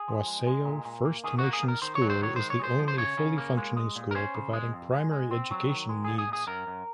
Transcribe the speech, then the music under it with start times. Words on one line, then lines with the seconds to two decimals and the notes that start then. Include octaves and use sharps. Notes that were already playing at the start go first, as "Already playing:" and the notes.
Wasayo First Nation School is the only full functioning school providing primary education needs.
Already playing: G#4
0.08 F3
0.27 G#3
0.47 G#3
0.65 A#2
0.85 A#2
1.05 A#3
1.24 D#3 G#4
1.39 F#4
1.44 A#3
1.53 G#4
1.63 D#3
1.68 A#4
1.82 D#3 C5
1.95 C#5
2.02 F#3
2.10 C5
2.21 D#3 C#5
2.36 G#3 C5
2.50 C#5
2.60 G#3 C5
2.79 F3
2.88 C5
2.98 C#3 C#5
3.17 C#3
3.38 A#3
3.57 G#3
3.77 G#3
3.96 A#2
4.11 A#4
4.15 C#4 C5
4.35 C#3
4.53 G#3
4.73 F2
4.93 G#3
5.11 G#3
5.31 C4
5.51 F#3
5.70 D#3
5.89 G#3
6.04 A#2 G#4
6.18 G#4
6.28 A#2
6.33 G#4
6.47 F#2 A#4
6.67 F#2